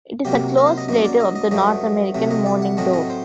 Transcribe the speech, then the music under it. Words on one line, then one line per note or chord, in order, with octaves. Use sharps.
It is a close relative of the North American mourning dove.
C3 F#3 A#3 G4
A#4
C5
D#5
F#2 F#3 A#3 D#5
D5
D#5
D#5
G2 F#3 A3 D#5
C3 F#3 A3
D#5
D5
F#5
A2 F#3 A3 C4 D#5
D#5
C5